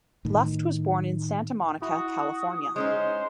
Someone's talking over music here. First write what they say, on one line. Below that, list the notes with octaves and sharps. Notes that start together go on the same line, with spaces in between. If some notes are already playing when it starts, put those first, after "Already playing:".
Luft was born in Santa Monica, California.
A2 D#3
E4 F#4 D#6
G#3 C#4 D#4 C5